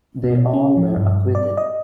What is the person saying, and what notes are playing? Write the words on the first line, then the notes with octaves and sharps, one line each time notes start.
They all were acquitted.
B2
C#4
F3
G2
D5
D#5